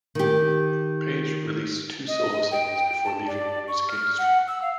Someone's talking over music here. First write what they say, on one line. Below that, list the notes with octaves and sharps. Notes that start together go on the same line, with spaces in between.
Page released two solo singles before leaving the music industry.
D#3 G4
D#5
G5
A5
D5
C#6
F6
F#5
E6
F5